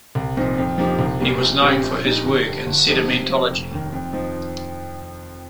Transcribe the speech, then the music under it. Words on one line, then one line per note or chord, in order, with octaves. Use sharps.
He was known for his work in sedimentology.
C2
A#2 F3 C4 D#4
F2
F3 A#3 D#4 G4
C2
A#2 G3 A#3
A#1
A#2 G3 C4 G4
A#1
A#2 G3 D#4
G1
G2 G3
G1
G2 F3 D#4 G4
C3
F3 A#3
F1
D#2 D#3
F2
F3 D#4